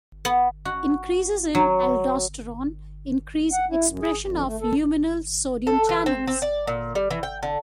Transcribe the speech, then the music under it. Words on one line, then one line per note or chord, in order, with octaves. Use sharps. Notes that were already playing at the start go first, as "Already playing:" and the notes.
Increases in aldosterone increase expression of luminal sodium channels.
B3
F#4
F#3
F#5
E4
F#2
G#4
F2
A3
A4
A4
E3
C4
C4
D5
A#2
G3
E3
G5
D3